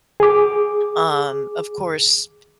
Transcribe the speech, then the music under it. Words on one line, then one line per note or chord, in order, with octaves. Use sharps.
um, of course,
G#4 D6